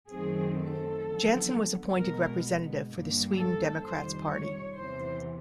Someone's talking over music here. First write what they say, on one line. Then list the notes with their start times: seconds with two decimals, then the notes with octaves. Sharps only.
Jansson was appointed representative for the Sweden Democrats party.
0.10 F#2 D#3 F#3 A3 C4 G#4
0.57 A4
1.04 F2 D3 F#3 B3
1.97 B2 G#3 B3 A#4
2.90 G2 D3 G3 A#3
3.37 A4
3.84 F2 C3 D#3 G3 C5
4.30 C#5
4.77 E2 C3 E3 C5